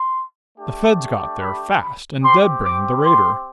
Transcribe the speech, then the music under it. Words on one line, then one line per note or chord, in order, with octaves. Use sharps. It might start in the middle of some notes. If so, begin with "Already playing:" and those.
The Feds got there, fast, and dead-brained the raider.
Already playing: C6
A3 D4 G4
B5
B5
C4 G4 C6
D6
C6